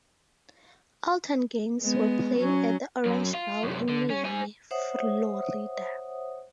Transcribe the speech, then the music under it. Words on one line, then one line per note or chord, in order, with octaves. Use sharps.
All ten games were played at the Orange Bowl in Miami, Florida.
G#3 B3
F#3 C#4
F#2
F4
F#2 C3
D3
C#4
C5 G#5
C5 C#5 E5 F#5 D#6